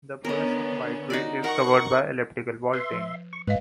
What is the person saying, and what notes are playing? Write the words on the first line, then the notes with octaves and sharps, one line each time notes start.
The presbytery is covered by elliptical vaulting.
D3 B3 C#4 A#4 D#5
D#4 F#4 D5
A#4 F#5 C#6
B4 E5 C6
F3
C#6
G#2 B4 D#5 F5